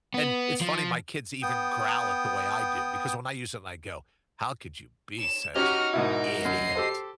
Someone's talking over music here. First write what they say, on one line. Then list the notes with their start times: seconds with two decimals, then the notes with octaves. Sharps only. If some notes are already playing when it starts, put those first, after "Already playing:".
and it's funny my kids even growl at the way I do, because when I use it and I go, "How could you be such an idiot?"
0.14 B3
0.61 F3
1.43 B3 G5 D#6
5.20 E7
5.56 C#4 F#4 G4 D#5 A#5 F6
5.94 G#2 B2 E4 A#4
6.45 F#2 C7
6.75 G4 A4 C5